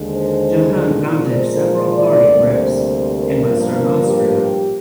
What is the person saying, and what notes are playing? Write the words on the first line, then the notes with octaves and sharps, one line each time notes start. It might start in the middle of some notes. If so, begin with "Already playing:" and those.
Johann founded several Party groups in western Austria.
Already playing: D#2 D3 G#3
C5
D5
A#2 F3 G#3
C5
D5
D2 C3 G3 A#3
C5
A#4
G2 F3 A#3
G4